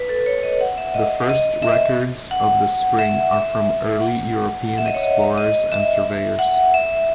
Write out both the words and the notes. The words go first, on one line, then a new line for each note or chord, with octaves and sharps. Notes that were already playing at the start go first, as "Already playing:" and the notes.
The first records of the spring are from early European explorers and surveyors.
Already playing: B4
A4
C#5
D#5
F#5
E5
D#5
D#5
E5
F#5
E5
E5
F#5
F#5
E5
D#5
C#5
D#5
D#5
E5
F#5
E5